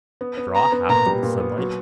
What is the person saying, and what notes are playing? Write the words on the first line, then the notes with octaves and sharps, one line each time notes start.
Straw hat in sunlight.
B3
B3
B3 A#5
B3
A#2 A#5
G3
A#2
B3
F#3